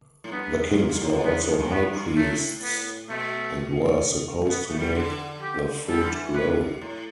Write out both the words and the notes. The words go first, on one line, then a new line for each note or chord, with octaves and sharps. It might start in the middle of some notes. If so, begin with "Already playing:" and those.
The kings were also high priests, and were supposed to make the food grow.
A2
G2 B3
E2
G2
G2
A2
A2
G2 B3
E2
G2
G2
E2 B3
G2
A2 A3
B3
B2 A3
B3
A3
G3
E3
D3
G4
G3 A4
D3
E3
B2 B4
A2